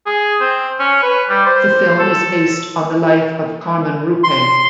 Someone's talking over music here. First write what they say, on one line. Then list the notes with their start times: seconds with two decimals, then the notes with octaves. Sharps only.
The film is based on the life of Carmen Rupe.
0.06 G#4
0.41 C4
0.80 C#4
1.03 B4
1.29 G3
1.46 C5
1.99 A4
4.24 C6